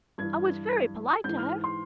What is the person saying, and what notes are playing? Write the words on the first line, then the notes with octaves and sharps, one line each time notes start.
I was very polite to her.
G2 E3 G#6
G#2 E3 G6
F6
C6